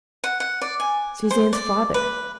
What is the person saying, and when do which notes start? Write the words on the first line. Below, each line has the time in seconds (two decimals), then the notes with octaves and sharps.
Suzanne's father!
0.24 F#5
0.40 F#5
0.61 D5
0.80 G#5
1.30 C5
1.53 D5
1.94 B4